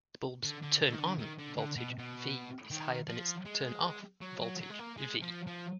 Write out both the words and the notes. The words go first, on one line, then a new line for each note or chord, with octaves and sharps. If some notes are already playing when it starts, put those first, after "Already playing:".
The bulb's "turn on" voltage "V" is higher than its "turn off" voltage "V".
D3
D3
D3
D#3
D3
D#3
D3
D3
B2
B2
D#3
F3
G#3
F#3
F#3
F#3
G#3
A#3
G#3
F3
F3